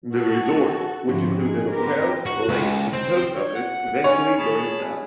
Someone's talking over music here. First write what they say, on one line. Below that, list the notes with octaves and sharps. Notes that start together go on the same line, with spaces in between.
The resort, which included a hotel, lake, and post office, eventually burned down.
F#4 A4
G#2 D3 F3 C4 C#4 E4
D#4 G#4
B3 C4 G4 A#4 B4
F#4
C#2
C4
C#5 G6
F#5
C#4 C#5
G#4 A5 B5